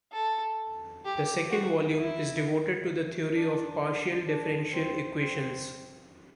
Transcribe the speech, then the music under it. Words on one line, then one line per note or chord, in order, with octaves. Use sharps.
The second volume is devoted to the theory of partial differential equations.
A4
G4
F#4
E4
D4
D4
C4
C4